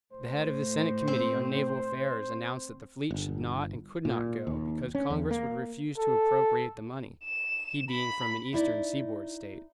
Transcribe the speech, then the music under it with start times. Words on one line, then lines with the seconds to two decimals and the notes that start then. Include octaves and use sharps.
The head of the Senate Committee on Naval Affairs announced that the fleet should not and could not go because Congress would refuse to appropriate the money--he being from an Eastern seaboard State.
0.13 A2 C5
1.08 C4
3.11 G1
4.05 A#2
4.47 D#2
4.95 C#4
5.10 E2
5.31 A#3
5.98 A4
7.24 E7
7.91 B5
8.53 D#4 E4 D5